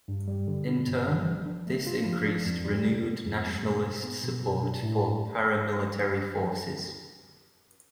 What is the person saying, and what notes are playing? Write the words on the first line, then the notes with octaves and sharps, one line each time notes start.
In turn, this increased renewed nationalist support for paramilitary forces.
G2
G3
D3
D4
G2
G3
F3
D4
A3
F4
F3
D4
F2
G3
C3
B3
F2
G3
B2
D4
B3
B2
B2
D4
A2